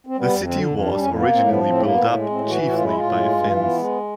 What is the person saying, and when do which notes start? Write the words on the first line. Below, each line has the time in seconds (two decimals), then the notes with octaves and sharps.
The city was originally built up chiefly by Finns.
0.07 C4
0.17 G3 B3
0.34 F2
0.42 C4
0.50 D3
0.66 F2
0.82 G3 D4
0.93 D4
0.98 F2 C#4
1.15 A#3 B3
1.31 A2 C4
1.48 F3 B3
1.64 A2 C4
1.81 A#3
1.89 B3
1.97 A2
2.14 G#3
2.29 A2 C4
2.46 E3 F#4
2.62 A2 F#4
2.73 F4
2.79 G#3
2.84 E4
2.96 A2 F4
3.12 G#3
3.29 G2
3.44 E3
3.61 B3
3.77 G#3